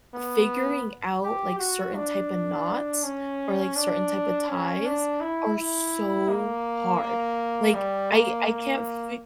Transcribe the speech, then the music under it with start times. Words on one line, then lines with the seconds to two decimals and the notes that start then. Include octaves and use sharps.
figuring out, like, certain type a knots or, like, certain type a ties are so hard, like, I I can't fi
0.14 B3
1.24 G4
1.59 F#4
1.95 D4
3.04 C#4
3.76 D4
4.49 C#4
4.85 D4
5.21 E4
5.57 E4
6.29 A#3
7.02 A#3
7.74 G3
8.11 A#3
8.47 A#3